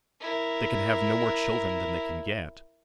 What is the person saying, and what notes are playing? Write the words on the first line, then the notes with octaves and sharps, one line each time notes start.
They can have no more children than they can get.
E4 A#4